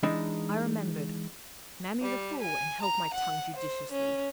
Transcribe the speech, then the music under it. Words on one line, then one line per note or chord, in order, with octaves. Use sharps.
I remembered 'Marmy's a fool,' and held my tongue judiciously.
E3 G#3 D4 D#4
G3
G#5
A#5
F#5
C5
C#4